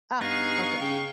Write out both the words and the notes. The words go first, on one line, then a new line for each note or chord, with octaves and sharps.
Ah! So true.
G2 B3 D#4 G#4 F5 C#6
C#3 G5